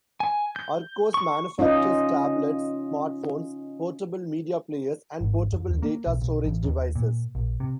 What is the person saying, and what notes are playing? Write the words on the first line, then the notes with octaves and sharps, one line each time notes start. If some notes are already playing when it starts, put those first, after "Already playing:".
Archos manufactures tablets, smartphones, portable media players and portable data storage devices.
G#5
G6
C#6
C#4 D#4 F4 D#5
G#1
F2
D#2
A#3
B1
B1
A1
D#2
A#2
A#1
C3